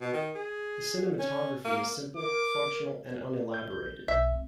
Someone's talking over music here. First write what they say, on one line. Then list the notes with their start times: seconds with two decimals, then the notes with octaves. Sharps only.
The cinematography is simple, functional, and unelaborated.
0.01 B2
0.14 D#3
0.35 G#4
1.19 C#4
1.65 A#3
2.17 A#4 D6
3.54 G6
4.08 B1 E5
4.32 C4